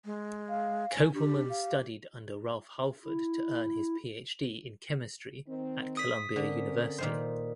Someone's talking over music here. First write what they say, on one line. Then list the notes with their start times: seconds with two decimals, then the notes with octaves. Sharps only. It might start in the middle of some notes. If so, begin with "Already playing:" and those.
Kopelman studied under Ralph Halford to earn his PhD in Chemistry at Columbia University.
0.05 G#3
0.49 F5
0.90 G#5
1.14 D4 G4
1.50 F5
3.06 E4
5.48 D#3 C4
5.97 D#6 B6
6.36 D3 C4 C#4 A#4
6.98 A#2 D#3 C5